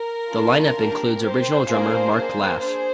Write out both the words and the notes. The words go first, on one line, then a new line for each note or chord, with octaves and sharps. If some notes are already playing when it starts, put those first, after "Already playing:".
The line-up includes original drummer Mark Laff.
Already playing: A#4
A#3 D4 F4
A#3 D4 G4
C4 G4 C5
A#3 D4 F4 G#4
A#3 D4 G#4
D4 G#4 C5